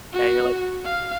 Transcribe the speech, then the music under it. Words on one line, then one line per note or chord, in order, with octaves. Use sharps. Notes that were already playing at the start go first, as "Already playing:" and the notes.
And you're like
F#4
F5